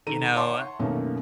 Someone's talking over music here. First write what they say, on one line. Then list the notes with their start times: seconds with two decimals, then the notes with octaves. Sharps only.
you know,
0.06 D#3 A4 A#5 D#7
0.35 C#5 E5 F#5 A5 C6 C#6
0.80 F#2 B2 D#3 A3 A#3 C#4